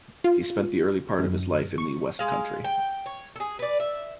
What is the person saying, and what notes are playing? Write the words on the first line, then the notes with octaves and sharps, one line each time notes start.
He spent the early part of his life in the West Country.
F4
F#2
C#6
G#3 F5
G5
C#5
G#4 A4
B4 D5
E5